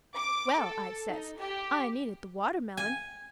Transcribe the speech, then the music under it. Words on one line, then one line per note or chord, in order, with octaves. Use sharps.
Well, I says, I needed the watermelon.
D6
A4
D#4
G4
G#5